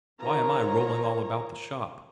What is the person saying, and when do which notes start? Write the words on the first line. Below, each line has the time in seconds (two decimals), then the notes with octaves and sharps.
Why am I rolling all about the shop?
0.21 D#3 F3 A#4 C#5 A#5